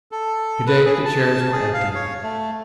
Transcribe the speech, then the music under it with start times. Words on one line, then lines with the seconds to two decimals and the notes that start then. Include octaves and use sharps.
Today the chairs were empty.
0.12 A4
0.67 B4
0.85 G#4
1.05 A5
1.52 G#4
1.74 F5
1.95 C#5
2.23 A3